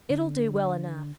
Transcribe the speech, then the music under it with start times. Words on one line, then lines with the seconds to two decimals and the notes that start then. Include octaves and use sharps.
'It'll do well enough.
0.10 D3